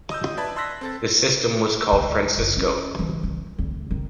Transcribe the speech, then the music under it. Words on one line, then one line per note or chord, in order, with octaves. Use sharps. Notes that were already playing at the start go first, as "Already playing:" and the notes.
This system was called Francisco.
D#5 D#6 E6 G6
B4 D5 E5 A5 B5 G#6
A5 C6 E6 F#6 A#6 B6
C4 A4 A6
D2
F#1
C#4
E3
E3
D2
D#3